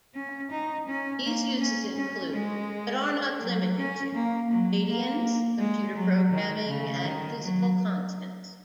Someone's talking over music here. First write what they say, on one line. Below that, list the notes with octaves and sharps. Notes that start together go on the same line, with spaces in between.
These uses include but are not limited to radians, computer programming, and physical constants.
C#4
D#4
C#4
A#3
C#4
C#4
G#3
F#3
C#4
A#3
F#3
A#3
G#3
F#3
D#3
C#3
D#3
F#3